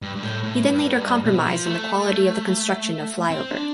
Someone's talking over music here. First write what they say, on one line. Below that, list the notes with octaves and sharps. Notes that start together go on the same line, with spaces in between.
He then later compromised on the quality of the construction of flyover.
G2
G2
A2
A2
G2
B2
F3
A3
C4
D4